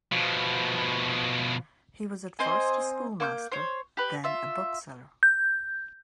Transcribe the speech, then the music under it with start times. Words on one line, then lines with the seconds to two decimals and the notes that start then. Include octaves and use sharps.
He was at first a schoolmaster, then a bookseller.
0.12 B2 F3
2.39 C4 C5 D#5 G#5
3.20 A#3 C#6 G6
3.52 C5 C#5
3.97 G4 B4
4.24 F4 E5
5.23 G6